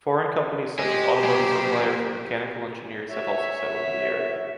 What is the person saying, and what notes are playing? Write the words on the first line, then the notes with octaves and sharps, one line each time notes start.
Foreign companies such as automotive suppliers or mechanical engineers have also settled in the area.
G4 C5 D#5 G#5
A#3 G#4
F#4 C#5 E5